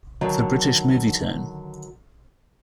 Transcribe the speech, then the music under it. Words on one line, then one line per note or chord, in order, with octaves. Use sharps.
For British Movietone.
D3 D#3 F#3